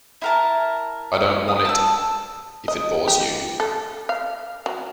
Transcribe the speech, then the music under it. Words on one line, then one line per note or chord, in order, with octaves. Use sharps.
I don't want to if it bores you.
E4 A#4 A5
D#6
A5 E6
D#5
G4
A4
F5
F#3